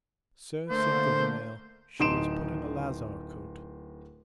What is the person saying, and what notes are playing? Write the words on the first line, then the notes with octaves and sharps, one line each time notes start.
Sir, said Gouvernail, she is put in a lazar-cote.
D3 A3 A#3 C5
D1 D#4 C6 D7 E7